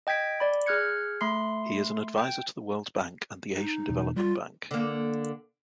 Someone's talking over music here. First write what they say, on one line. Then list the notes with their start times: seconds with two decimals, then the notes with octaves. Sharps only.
He is an advisor to the World Bank and the Asian Development Bank.
0.07 D#5 G5 G#6 B6 D7
0.40 D5 B5
0.66 G#4 F6 F#6 G#6 C#7
1.21 A3 B5 C6 C7
2.18 G5
3.56 D#4
3.89 E2 B2
4.16 G3 F4
4.71 D3 A#3